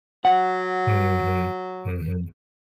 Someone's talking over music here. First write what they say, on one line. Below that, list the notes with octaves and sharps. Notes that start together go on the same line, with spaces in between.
Mhm, mhm.
F#3 F#5